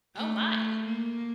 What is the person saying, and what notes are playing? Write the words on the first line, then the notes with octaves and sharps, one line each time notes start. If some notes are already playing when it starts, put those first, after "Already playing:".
Oh my!
A3
A#3